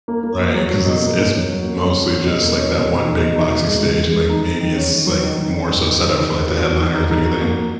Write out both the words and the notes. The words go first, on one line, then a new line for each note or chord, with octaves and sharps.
Right, 'cause it's it's m mostly just, like, that one big boxy stage, and, like, maybe it's, like, more so set up for, like, the headliner if anything.
A#3
A#3
A#3
F#3
F#3
B2
A#3
A#3
C#4
F#3
A#3
C#4
F#3
C#4
B2
A#3
C#4
B2
B2
D#4
B2
D#4
B2
G#3
C#2
G#3
G#3
D#4
D#4
D#3
C#4
D#3
F#3
D#3
D#3
C#4
D#3
D#3
D#3
D#3
D#3
F#4
F#4
D#3
D#4
D#4
F#4
A#3
A#3